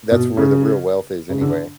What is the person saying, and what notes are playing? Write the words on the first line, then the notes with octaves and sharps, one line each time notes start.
that's where the real wealth is anyway.
B2
C#3
C#3
D3